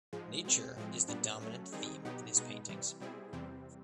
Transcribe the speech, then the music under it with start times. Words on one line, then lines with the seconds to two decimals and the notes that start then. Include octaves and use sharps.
Nature is the dominant theme in his paintings.
0.13 G#2 F3 G#3
0.44 B2 G#3 C4
0.77 A2 F3 G#3 C4
1.08 A#2 G3 B3 D4
1.41 F#3 A3 C#4
1.72 D#3 G3 C4 D#4 G#4
2.05 B2 F#3 B3 D#4 G4
2.36 B2 G#3 B3 D#4
2.69 C3 E3 G3
3.00 B2 G3 C4 E4 G#4
3.33 E2 C3 E3 G3 C4